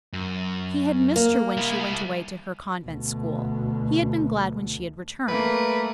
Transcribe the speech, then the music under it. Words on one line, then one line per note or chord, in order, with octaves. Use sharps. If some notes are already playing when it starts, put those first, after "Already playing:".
He had missed her when she went away to her convent-school; he had been glad when she had returned.
F#2
A#3
G3 E4
D2 B2
A3 A#3 B4